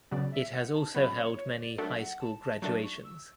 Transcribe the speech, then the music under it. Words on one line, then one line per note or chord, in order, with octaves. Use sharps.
It has also held many high school graduations.
C#3 F#3 B3 D5
E5
F#5
A5
C#3 F#3 B3 B5
C#5
C#5
D5
F#3 A3 D4 A4 D5 E5
F#5
A5
A5
F#3 A3 D4 A4 D5 A5
C#6
E6